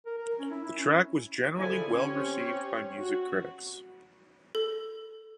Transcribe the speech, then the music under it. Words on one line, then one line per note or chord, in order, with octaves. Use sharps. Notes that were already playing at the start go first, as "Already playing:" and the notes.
The track was generally well received by music critics.
A#4
A#4
C#4
E4
E4
C#4
D3 F3 E4 G#4 A4 G#5
C4 C#4 G4 C#5
F#4
A4